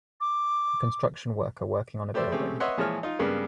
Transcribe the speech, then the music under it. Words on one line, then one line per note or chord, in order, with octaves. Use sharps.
A construction worker working on a building.
D6
A3 G4 B4 C5 D5 E5
G#3 A3 C4 C#4 G4
B4 C#5 D#5 E5 F#5 C6
A#2 E3 F3 G#3 C#5 F6
D#4 F4
G2 C#3 G#3 A#3 B3